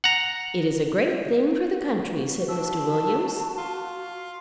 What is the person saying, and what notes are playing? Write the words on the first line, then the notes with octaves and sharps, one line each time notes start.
"It is a great thing for the country," said Mr. Williams.
F#5 A#5
A#3 F#4
E5 A5
F4